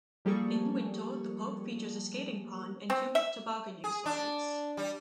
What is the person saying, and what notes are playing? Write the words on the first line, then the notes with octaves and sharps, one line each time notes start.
In winter the park features a skating pond and two tobogganing slides.
F3 G3 A#3 G#4 A4 C#6
C4
E5
G#4
D4
G3